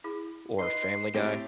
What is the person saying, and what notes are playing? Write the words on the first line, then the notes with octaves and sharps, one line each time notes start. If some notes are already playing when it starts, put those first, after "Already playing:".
or Family Guy
E4 G#4
D#4 B4 C6
A2 C4 G4 C5 C#5